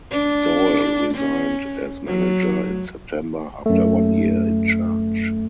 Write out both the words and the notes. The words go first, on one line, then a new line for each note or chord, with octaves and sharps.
Doyle resigned as manager in September after one year in charge.
D4
C#4
F#3
F#2 A3